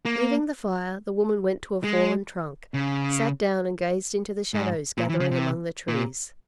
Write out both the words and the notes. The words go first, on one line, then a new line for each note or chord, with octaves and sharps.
Leaving the fire, the woman went to a fallen trunk, sat down and gazed into the shadows gathering among the trees.
A#3
G#3
C#3
G#2
A#2
E3
C#3
C3
A#2